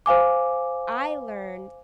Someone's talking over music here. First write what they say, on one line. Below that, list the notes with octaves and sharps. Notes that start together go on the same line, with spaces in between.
I learned
C5 F5 G#5 D6